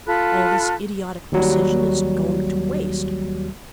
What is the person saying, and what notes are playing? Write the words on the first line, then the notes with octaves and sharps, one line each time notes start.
All this idiotic precision is going to waste.
F4 A4 B5 F#6
D#2 F#3 G3